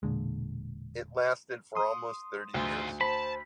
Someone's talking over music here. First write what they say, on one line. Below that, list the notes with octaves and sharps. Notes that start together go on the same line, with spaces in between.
It lasted for almost thirty years.
E1 A#2 D3 G#3
C6 D#6
D2 G#2 F4
C5 A5 B5